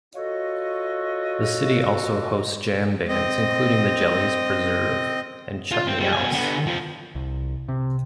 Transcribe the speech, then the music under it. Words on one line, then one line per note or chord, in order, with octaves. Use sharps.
The city also hosts jam bands, including the Jellies, Preserve, and Chutney Alice.
F4 F#4 A4 C#5 D#5
C4 D#5
F4
C4
G3
B2 G#5
D3 B3
F2 F3
C2
C3